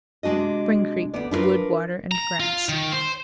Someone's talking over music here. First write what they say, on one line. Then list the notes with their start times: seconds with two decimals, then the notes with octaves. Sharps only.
Spring Creek.--Wood, water, and grass.
0.23 C3 G#3 D4 F#4 D#5
1.14 D2 B3 D5
1.31 D4 E4 F4 A#4 B4
2.11 A#5
2.40 F4
2.69 D#3
2.92 C5